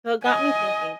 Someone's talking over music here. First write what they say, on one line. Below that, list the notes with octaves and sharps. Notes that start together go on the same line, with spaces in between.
So it got me thinking,
D#5 G#5